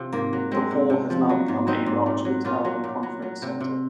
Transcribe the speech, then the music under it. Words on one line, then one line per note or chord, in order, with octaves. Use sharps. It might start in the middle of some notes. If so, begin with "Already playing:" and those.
The hall has now become a large hotel and conference centre.
Already playing: C3 F3
G#2 A#3
F#3
F#3 G#3 C4
C3
C3
F3
F#3
G#2
F#3 C4 D#4
G#2
A#2
F#3
A#2 C#4 F4
F#3
A#2
F#3
F#3
C3
C3